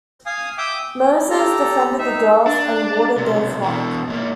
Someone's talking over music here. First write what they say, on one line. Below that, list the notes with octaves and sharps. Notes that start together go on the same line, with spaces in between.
Moses defended the girls and watered their flock.
F5 G#5 D#6
E5 G5 D6 D#6
G5
E4
G4 A4 A#5
D#4 E5
D4
B1 C3
B2 E3
G#2 A#3